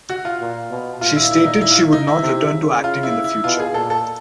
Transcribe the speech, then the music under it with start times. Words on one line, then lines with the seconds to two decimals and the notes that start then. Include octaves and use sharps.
She stated she would not return to acting in the future.
0.09 F#4
0.25 F4
0.40 A#2
0.71 B2
1.00 A#2 F4
1.16 E4
1.31 E4
1.46 D#4
1.62 E4
1.70 F4
1.77 E4
1.92 D#4
2.07 E4
2.22 C3
2.53 C#3
2.84 F4
3.03 E4
3.24 E4
3.44 B2 F4
3.60 G#4
3.74 A#2 A4
3.90 A4